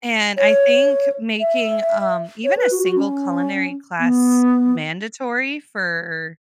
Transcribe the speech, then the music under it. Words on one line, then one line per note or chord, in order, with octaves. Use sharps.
And I think making, um, even a single culinary class mandatory for
C#5
E5
C#5
B4
F#4
F#4
C#4
B3